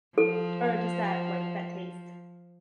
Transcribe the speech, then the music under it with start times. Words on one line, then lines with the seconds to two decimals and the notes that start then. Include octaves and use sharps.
or just that, like, that taste.
0.18 F3 A4